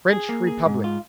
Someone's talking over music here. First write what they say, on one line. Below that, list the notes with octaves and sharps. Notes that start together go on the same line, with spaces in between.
"French Republic."
G#4
A#3
G#4
G#2
F4